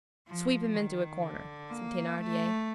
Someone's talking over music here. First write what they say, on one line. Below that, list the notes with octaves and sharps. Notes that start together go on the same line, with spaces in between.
"Sweep him into a corner," said Thenardier.
F3
D#3
D3
A#3
A3